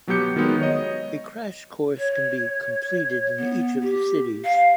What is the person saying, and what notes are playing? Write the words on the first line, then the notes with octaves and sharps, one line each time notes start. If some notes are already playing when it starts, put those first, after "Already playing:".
A "Crash Course" can be completed in each of the cities.
B2 F#3 B3 G4 G6 C#7
D#3 F#3 G#3 B3
C#5 D#5
C#5
B3
G4
F5